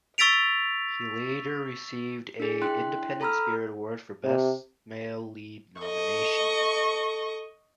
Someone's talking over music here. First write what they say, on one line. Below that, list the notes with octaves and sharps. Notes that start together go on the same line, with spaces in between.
He later received a Independent Spirit Award for Best Male Lead nomination.
C#6 E6 A6 B6 D7 F7
D4 G#4
D4 E4 G5 C6 F#6
A4 A#5 B5 E6 F6
C3
A4 D#5 C#6